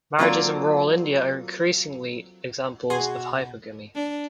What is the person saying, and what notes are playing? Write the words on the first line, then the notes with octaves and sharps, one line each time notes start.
Marriages in rural India are increasingly examples of hypergamy.
F#3 A#3 C4 F4 A4 D5
B2 F#4 G#4 G#5 C6
D4